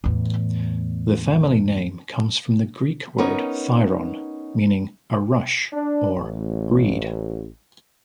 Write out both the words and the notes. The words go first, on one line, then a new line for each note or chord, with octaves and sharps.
The family name comes from the Greek word "thryon", meaning a "rush" or "reed".
E2 A2
B3 C#4 D#4 A#4
D4
A1